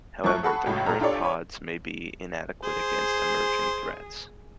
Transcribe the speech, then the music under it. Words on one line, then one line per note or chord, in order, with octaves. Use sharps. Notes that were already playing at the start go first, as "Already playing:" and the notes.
However, the current pods may be inadequate against emerging threats.
F#2 F3 A3 A5 C#6 F#6
G#4 A4 F#5 A5 B5 C#6
C#2 F#2 A2 F#3
A#2 A4 A#5
D4 F4 G4 A4 C#5 D5
C#5 B5 D6
G#4 C5